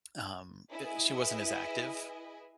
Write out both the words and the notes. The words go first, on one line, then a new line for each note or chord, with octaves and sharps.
um, e She wasn't as active,
E4 G#4 B4 D#5 G#5